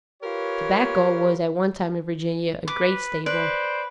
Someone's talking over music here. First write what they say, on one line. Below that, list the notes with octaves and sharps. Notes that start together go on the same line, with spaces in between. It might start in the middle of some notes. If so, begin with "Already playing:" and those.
Tobacco was at one time in Virginia a great staple.
F4 G4 A#4 B4 C#5
B4 D6
B4 C5 D5